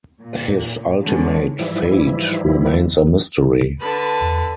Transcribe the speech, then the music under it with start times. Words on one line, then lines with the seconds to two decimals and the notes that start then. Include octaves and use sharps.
His ultimate fate remains a mystery.
0.21 A#2
1.03 D3 D#3 G#3 B3 C#4 D4
1.59 G#2 E3 F3 G3 E4
3.80 D3 B4 A5 B5
4.22 E2